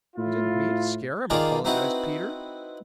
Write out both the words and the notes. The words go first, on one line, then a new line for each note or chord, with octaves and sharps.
"I didn't mean to scare him," apologized Peter.
A2 E4 F4
D#3 A#3 F4 G#4 A#4 D5
C4 D#4 E4 F#4 B4